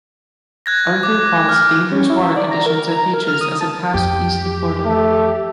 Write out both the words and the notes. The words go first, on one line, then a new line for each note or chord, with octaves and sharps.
Arthur caused dangerous water conditions at beaches as it passed east of Florida.
F#6 G#6 A#6
D6
F6
C#4
E4
E5
D5
A#5
A#4
A#5
A#4
F6
D#6
A5
F2 G4
A3